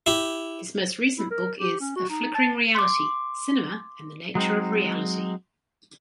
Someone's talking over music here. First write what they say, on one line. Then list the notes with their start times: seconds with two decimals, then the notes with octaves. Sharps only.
His most recent book is "A Flickering Reality: Cinema and the Nature of Reality".
0.06 E4 G4
1.18 E4
1.30 A#4
1.58 G4
1.80 C#4
1.96 F#4
2.09 D#4
2.34 A5
2.75 C6 D6
4.35 F#3 G#3 C4 D#4